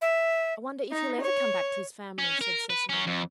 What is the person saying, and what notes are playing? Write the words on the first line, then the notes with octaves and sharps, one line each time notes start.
"I wonder if he'll ever come back to his family," said Cecily.
E5
D#4
C#5
C#4
A#4
B4
F#3 C#4
F2